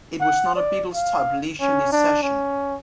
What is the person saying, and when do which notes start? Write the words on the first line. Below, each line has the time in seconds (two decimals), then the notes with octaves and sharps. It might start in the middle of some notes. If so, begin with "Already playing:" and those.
It was not a Beatles-type leisurely session.
0.21 F#5
0.56 D5
0.95 F5
1.61 C#4
1.92 D4
2.23 C#4